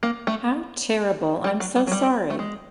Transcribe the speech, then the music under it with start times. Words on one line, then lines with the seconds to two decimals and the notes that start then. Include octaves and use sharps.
How terrible, I'm so sorry.
0.03 A#3
0.27 A3
1.44 G3
1.60 F#3
1.76 G3
1.87 F#3
1.92 G3
2.30 A3
2.39 G#3